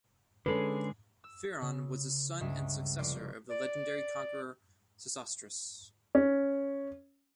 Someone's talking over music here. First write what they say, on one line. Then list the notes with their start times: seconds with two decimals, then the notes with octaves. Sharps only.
Pheron was the son and successor of the legendary conqueror Sesostris.
0.46 D3 G#3 C#4 G#4 A4 B4
1.24 E6
1.62 C#3
2.40 C#2 G2 C#3 G#4 E5
2.98 F1 F4 D5
3.49 D5
6.15 C#4